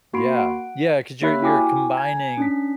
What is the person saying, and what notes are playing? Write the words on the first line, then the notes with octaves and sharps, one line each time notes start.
Yeah, yeah, 'cause you're you're combining,
A#3 F#4 B5 C6 C7 D7
F#5 D7
A#3 G4 C#5 E5 B5 F#6
E4 F#4 G5 G#5 D6
G#5 A#5 G#6
C#4 D4 B6